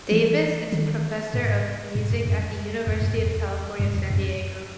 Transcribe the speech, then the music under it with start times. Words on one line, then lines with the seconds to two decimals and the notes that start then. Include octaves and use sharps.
Davis is professor of music at the University of California, San Diego.
0.11 E3
0.72 D#3
1.34 G#2
1.95 G#2
2.10 F#2
2.25 F#2
2.87 E2
3.02 F#2
3.18 E2
3.80 F#2
3.94 E2
4.10 F#2